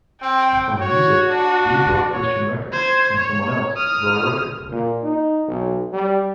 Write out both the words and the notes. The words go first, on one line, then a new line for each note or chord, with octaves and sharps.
For music, we brought Christian records and someone else brought a record player.
C4 G5
F#4 C#5
D4
C#5
C5 G#6
C#5
D#6 F6
A#2
D#4
B1
G3